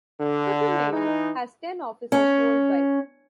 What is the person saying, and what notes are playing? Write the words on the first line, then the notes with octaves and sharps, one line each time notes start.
Putumayo has ten offices worldwide.
D3
E3 D#4
C#4